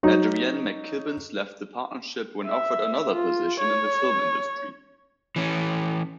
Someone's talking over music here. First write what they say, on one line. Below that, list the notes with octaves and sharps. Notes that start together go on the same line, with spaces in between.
Adrienne McKibbins left the partnership when offered another position in the film industry.
F#3 D#4
E5
F4
C#5
E3 C#4